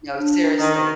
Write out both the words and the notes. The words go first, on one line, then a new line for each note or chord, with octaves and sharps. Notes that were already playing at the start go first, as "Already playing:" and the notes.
No, seriously.
D4
D#3